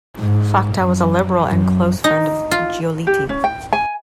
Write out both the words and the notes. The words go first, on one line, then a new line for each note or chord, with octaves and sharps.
Facta was a Liberal and close friend of Giolitti.
G#2
F#2
F#2
D#4
F4
G4
C#4
G5
G#5